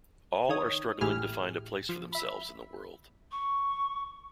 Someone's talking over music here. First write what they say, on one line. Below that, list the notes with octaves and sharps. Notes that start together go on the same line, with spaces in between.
All are struggling to find a place for themselves in the world.
D#3 C#5 D#6
A1 A2 E4 G4 G#4 F6
F3
E5 B5
C#6